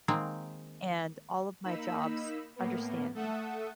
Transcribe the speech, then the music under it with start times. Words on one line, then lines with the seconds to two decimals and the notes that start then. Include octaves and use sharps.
and all of my jobs understand me,
0.08 D#3 G#3 A#3 C4
1.64 A#3 D#4 B5 E6
2.56 A2 A#3 B3
3.15 A3 A4 E5 F#5 D#6